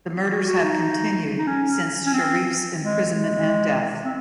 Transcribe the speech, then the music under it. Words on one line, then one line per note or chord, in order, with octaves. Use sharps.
The murders have continued since Sharif's imprisonment and death.
F#4
F#4
D#4
D#4
C#4
C#4
C4
G#3
G#3
C4